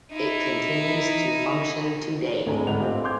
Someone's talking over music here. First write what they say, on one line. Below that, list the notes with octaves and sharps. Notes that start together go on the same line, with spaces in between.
It continues to function today.
D#4 E4
G#1 A2 D4 G#4 A4 A#5
G1 G#2 G#4 F#5 F7
A2 C4 F4 G4
G#5 C6 D6 G6 G#6